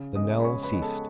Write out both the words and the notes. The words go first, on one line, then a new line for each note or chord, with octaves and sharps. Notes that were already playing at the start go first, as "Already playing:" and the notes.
The knell ceased.
Already playing: C#3
G#3 B3 D#5 D#6
B5
C#3 C#5 C#6
B4 B5
G#3 B3
A4 A5